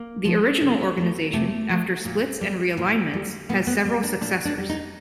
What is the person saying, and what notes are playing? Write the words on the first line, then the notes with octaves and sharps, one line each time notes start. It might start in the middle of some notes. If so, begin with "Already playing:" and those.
The original organization, after splits and realignments, has several successors.
Already playing: A#3
F3 A3
C3
F3 A3
C3 A3
F3 A3
A#2
G3
A#2
G3
A#2 B3
B3
G3
D4
A#2 D4
D4
G3
D#4